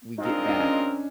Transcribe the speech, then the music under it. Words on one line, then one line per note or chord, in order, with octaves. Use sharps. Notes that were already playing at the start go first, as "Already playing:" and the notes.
we get back
G#3 C4 D#4 F4 A#4 D#5
D4
D4
C#4